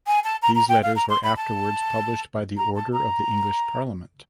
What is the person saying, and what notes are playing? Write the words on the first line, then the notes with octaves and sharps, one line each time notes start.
These letters were afterwards published by the order of the English Parliament.
G#5
A5
A#5
A#5
G5
F5
A#5
C6
B5
A5
A#5
A5
A#5